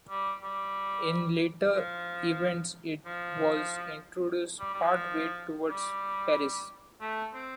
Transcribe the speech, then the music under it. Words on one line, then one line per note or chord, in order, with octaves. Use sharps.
In later events, it was introduced part-way towards Paris.
G3
G3
F3
F3
G3
G3
F3
G3
A3
C4